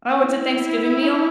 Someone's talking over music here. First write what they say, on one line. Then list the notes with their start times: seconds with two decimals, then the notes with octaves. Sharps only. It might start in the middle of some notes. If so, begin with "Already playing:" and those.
Oh, it's a Thanksgiving meal?
0.24 E4